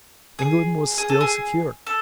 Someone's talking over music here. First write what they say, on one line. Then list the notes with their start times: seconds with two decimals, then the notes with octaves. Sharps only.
England was still secure.
0.39 G#4
0.98 G#4
1.09 A4
1.21 G#4
1.87 A4